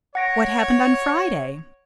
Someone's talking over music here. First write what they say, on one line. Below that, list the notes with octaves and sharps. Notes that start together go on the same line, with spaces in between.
"What happened on Friday?"
C#5 F#5 A#6 D7